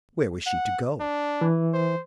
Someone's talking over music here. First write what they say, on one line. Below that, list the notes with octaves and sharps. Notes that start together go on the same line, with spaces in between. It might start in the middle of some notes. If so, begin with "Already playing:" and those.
Where was she to go?
F#5
D4
E3
C5